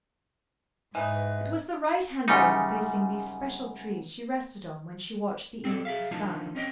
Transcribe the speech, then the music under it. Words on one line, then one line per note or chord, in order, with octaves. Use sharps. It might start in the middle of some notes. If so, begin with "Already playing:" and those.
It was the right-hand rail facing these special trees she rested on when she watched the evening sky.
G#2 E3 D#4 B4
F#2 C#3 G3 D#4
C4 A4 D5
G#4 E5 F5
F3 D4 D#4 F4 A5
C4 C#4 D#5 G5